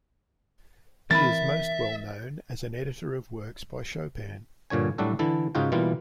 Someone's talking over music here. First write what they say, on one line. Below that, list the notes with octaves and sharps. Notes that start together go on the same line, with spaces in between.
He is most well known as an editor of works by Chopin.
E3 C4 A#4 E5 A#5 B5 A6
G2 A#2 D3 C#5 G#5
A2 F#3 G3 D4 F#4 A4
D3 E3 E4 A4
G#2 C#3 D#4 F4 F#4 G5
B2 E3 G3 A#3 F4